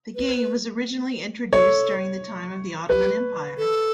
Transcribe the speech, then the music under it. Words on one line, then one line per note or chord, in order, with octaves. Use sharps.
The game was originally introduced during the time of the Ottoman Empire.
B4
A4 C#5
G4 B4
A4